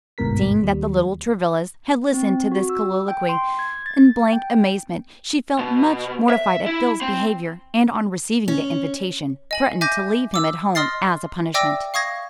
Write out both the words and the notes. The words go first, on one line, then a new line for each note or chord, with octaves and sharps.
Seeing that the little Travillas had listened to this colloquy in blank amazement, she felt much mortified at Phil's behavior, and on receiving the invitation threatened to leave him at home as a punishment.
G1 D2 G#2 B2 A#4 B6
D#2 G3
C4
F#4
E6
G5
C6
G#6
A6
G5
B2
E5
E4
C4
C#4
D#5 G#5 F#7
E5 G#5 D6 G6 A#6
D6 E6
D#5 C6 D#6 F6 A6 C7
D5 E5 G5 D6 E6 A#6
F5 C#6 D#6 G#6 A#6